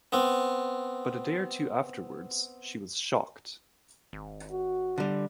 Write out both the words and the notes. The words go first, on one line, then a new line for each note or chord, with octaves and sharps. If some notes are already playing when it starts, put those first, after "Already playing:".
But a day or two afterwards she was shocked.
B3 C4
G#1
F#4
D3 G3